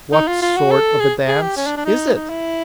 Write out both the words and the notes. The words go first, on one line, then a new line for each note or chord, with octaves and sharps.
'What sort of a dance is it?'
D#4
F4
F4
F#4
A4
G#4
G#4
G4
C#4
D4
D4
D#4
D#4
E4